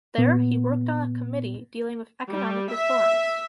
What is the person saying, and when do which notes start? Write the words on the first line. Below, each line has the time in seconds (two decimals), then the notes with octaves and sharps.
There he worked on a committee dealing with economic reforms.
0.18 A#2 B3
2.30 G3
2.72 E5